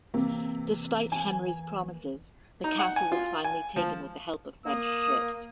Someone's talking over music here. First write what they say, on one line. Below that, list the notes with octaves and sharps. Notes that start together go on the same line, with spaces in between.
Despite Henry's promises, the castle was finally taken with the help of French ships.
C3 E3 A#3
G#5
D#4
F#5
G#5
F4
G#5
F3
A#3 D#6